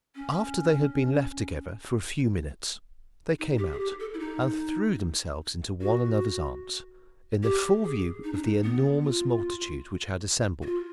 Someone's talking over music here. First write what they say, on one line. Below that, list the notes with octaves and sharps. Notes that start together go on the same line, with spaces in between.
After they had been left together for a few minutes they came out, and threw themselves into one another's arms, in the full view of the enormous multitude which had assembled.
C#4
D#4
G4
G#4
G4
A4
E4
D#4
F#4
G4
G#4
D#4
D4
D#4
B3
F4
F#4
F4